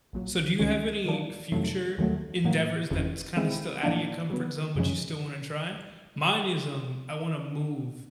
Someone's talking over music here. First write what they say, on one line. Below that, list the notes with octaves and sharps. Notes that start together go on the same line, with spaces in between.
So do you have any future endeavors that's kinda still outta your comfort zone, but you still wanna try? Mine is, um, I wanna move
A#1 A#2 F#3
C#2 C3 D#3 G#3 C#4
D#3 F#3 A#3 D4
F2 C3 D#3 F#3 A3
D#2 D#3 F#3 A3
A2 F#3 A#3
G1 F2 C#3 E3
D#3 G#3 C4 E4
A2 F3 A#3 D4
C#3 F#3 B3
F#2 C#3 F3 G#3 C#4